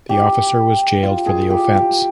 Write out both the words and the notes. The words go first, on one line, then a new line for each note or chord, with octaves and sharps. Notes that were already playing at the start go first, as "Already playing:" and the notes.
The officer was jailed for the offence.
G4
F4
G#4
G4
G4